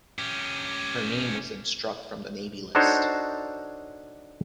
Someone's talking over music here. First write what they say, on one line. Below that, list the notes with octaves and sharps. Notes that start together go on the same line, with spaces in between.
Her name was then struck from the Navy list.
C#4 G4
D4 D#4 F#4 A4 C5 C#5